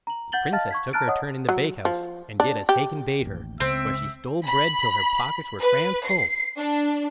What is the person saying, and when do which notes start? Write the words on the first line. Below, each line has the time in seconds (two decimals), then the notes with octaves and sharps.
The Princess took her turn in the bakehouse, and did as Hacon bade her, for she stole bread till her pockets were crammed full.
0.07 A#5 F#7
0.32 F#5 G6 A6 F#7 G7
0.52 D#5 F5 A5 F6 A6
0.71 C#6 G#6 B6
0.93 A5 A#5 F6 F#6 A6 D7
1.07 C#5 D#5 F#5 D#6
1.49 F#3
1.85 F3
2.40 D4
2.69 G4
3.22 A1 D#2
3.60 C#2 C#3 B3 C4 E5
4.45 B5
5.60 B4
6.06 C7
6.57 D4